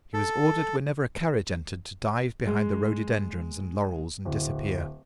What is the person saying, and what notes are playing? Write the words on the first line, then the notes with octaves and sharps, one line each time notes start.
He was ordered whenever a carriage entered to dive behind the rhododendrons and laurels and disappear.
A4
G#3
D1